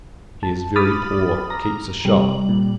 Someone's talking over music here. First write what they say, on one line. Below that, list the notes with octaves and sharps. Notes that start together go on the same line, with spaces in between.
He is very poor; keeps a shop.
A5
B5 D6 D#6 F6 A6
A#5
C3 G3 F#7
A#2